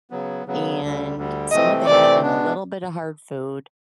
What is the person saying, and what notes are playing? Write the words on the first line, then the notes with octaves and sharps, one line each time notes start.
and some of that and a little bit of hard food
C#3 F#3 B3
C#3 F#3 B3
D2 D3 G3
D2 D3 G3
C3 E3 A3 C4 D#5
C3 E3 A3 C4 D5
B2 G#3 B3 D4